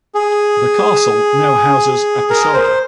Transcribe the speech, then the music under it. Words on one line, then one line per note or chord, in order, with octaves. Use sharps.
The castle now houses a pousada.
G#4
A#4
C5